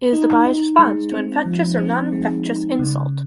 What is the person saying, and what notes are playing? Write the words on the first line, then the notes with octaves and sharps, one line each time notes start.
It is the body's response to an infectious or noninfectious insult.
D#4
D#4
G#3
C4
F3
C4
G#3
D#4
C#3